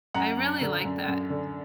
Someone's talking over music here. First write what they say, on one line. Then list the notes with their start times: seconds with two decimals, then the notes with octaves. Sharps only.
I really like that.
0.14 F#2 F#5 A#5
0.38 F#2
0.61 D3
0.85 F#2
1.08 F#2
1.30 D3